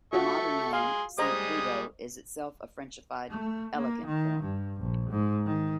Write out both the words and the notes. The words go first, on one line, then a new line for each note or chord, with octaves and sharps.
The modern name, Saint Budeaux, is itself a Frenchified "elegant" form.
F4 F#4 A4 E5 C#6
G#4 F5 C6
G3 G#3 C5 D#5 A#5 D#6
A3
A#3
D#3
G2
A#1
G#2
D#3